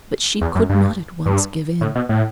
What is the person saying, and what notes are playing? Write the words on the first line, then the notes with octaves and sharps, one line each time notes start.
But she could not at once give in.
E2
F#2
G2
G2
A2
B2
A2